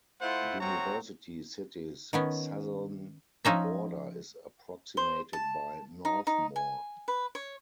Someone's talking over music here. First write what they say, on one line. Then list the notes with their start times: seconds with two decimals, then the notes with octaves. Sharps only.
University City's southern border is approximated by Northmoor.
0.21 A3 E4 F4 C5 F#5
0.60 A3 C4 F#4 C#5 A#5
2.13 D#3 B3 C#4
3.45 F3 C#4 D#4 E5
4.97 C5
5.33 A5
6.05 D#4
6.27 D#4
6.56 G#5
7.08 B4
7.35 C#5